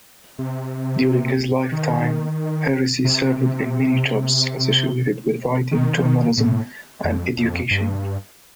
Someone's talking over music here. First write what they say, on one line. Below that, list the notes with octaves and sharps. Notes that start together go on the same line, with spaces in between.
During his lifetime, Hersey served in many jobs associated with writing, journalism and education.
C3
D#3
C3
D#3
F3
D#3
A2
F2
F2
G2